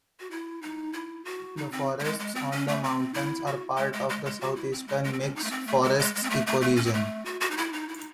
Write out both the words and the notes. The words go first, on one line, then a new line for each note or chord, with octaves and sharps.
The forests on the mountains are part of the Southeastern mixed forests ecoregion.
F#4
E4
D#4
E4
F#4
D#4
C4
A3
G#3
G#3
C4
C#4
A3
C4
E4
F#4
G#3
G#3
G#3
G#3
F#4
E4
C4
G#3
G#3
C4
C#4
D#4
A3
C4
A3
G#3
G#3
G#3
C4
A3
A3
A3
C#4
C4
A3
F#4
F#4
D#4
E4
D#4
E4
D#4